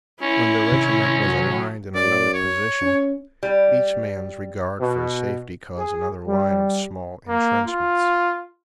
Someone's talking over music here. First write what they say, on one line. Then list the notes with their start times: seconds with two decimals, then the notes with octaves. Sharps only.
When the regiment was aligned in another position each man's regard for his safety caused another line of small intrenchments.
0.22 C#4 E4
0.72 C3 D#3
1.23 F#3
1.95 F#2 D5
2.34 C#5
2.82 C#4
3.43 G3
4.80 B2
5.77 G#4
6.27 G3
7.28 A#3
7.68 F4